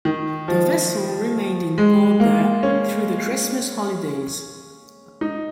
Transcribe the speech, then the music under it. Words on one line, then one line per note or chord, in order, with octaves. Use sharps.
The vessel remained in port there through the Christmas holidays.
D#3
F3
G#3
A#3
C#4
D#4